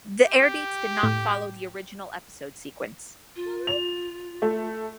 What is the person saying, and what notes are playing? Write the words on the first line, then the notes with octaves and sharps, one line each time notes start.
The airdates did not follow the original episode sequence.
G4
A2
F4
F7
A3